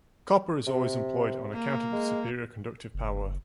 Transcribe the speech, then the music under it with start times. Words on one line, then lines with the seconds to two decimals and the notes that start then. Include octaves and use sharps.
Copper is always employed on account of its superior conductive power.
0.67 C3
1.54 A#3
1.93 G#3
2.94 F#1